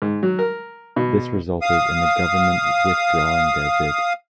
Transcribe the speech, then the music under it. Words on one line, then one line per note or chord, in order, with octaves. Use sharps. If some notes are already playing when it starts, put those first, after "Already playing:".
This resulted in the government withdrawing their bid.
G#2
F#3
A#4
B2
F5 D#6